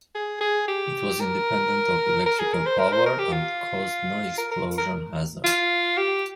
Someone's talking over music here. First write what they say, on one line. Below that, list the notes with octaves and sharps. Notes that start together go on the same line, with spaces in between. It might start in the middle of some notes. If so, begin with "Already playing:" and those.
It was independent of electrical power, and caused no explosion hazard.
G#4
G#4
G4
A#4
A#4
G#4
A#4
C5
A#4
C5
A#4
G4
F4
A#4
A#4
A#4
F4
G4